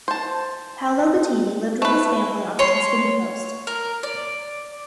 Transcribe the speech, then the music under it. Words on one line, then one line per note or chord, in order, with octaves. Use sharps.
Paolo Bettini lived with his family on the Tuscany coast.
C5 A5
A3 B4
C#5 C6
A#4
D5